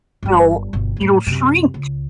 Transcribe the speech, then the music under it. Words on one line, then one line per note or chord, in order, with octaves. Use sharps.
will it'll shrink
G1 G3
G1 B2
F#2 A2
F#2 C3
C#2